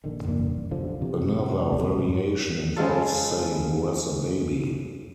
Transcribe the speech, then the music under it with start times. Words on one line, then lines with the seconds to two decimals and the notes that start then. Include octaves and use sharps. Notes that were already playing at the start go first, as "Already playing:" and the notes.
Another variation involves saying Where's the baby?
0.04 A#1 D3 D#3
0.28 D#1 A#3 D4
0.71 B1 D3 F3
1.01 E2 C3 E3
1.72 D#2 C3 G3 A3
1.96 G#2
2.76 C#3 G#3 F4 A4